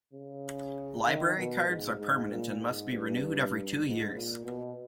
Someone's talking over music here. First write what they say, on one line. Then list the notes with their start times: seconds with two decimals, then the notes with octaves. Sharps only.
Library cards are permanent and must be renewed every two years.
0.13 C#3
1.06 D#3
1.37 B2
1.67 G#2
1.98 G#2
2.30 A#2
2.61 G#2
2.92 G2
3.84 G#2
4.14 A#2
4.45 B2